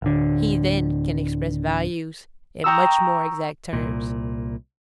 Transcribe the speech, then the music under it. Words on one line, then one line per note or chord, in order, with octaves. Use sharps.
He then can express values in much more exact terms.
D1 D3
G5 A#5 C#6 D#6 E6
C2 A#2